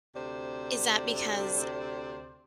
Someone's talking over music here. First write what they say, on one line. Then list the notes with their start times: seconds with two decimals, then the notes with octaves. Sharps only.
Is that because
0.16 D2 C3 C5 D5